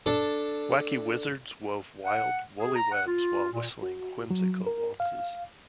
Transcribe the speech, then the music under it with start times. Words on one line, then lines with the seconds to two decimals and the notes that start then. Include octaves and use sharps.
Wacky wizards wove wild, woolly webs while whistling whimsical waltzes.
0.06 D4 A4
2.05 F#5
2.60 G#4
2.75 A#5
2.92 F#5
3.07 F4
3.52 A#2
3.83 F#4
4.30 F#3
4.67 A#4
5.00 F5